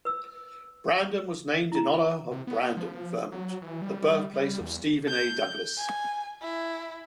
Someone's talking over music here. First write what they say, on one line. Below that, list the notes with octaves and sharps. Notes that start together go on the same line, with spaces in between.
Brandon was named in honor of Brandon, Vermont, the birthplace of Stephen A. Douglas.
B4 E6
E4 F4 A#5
C3
B3
F3
F#3
E3
G3
G3
E2
G6
G#5
E4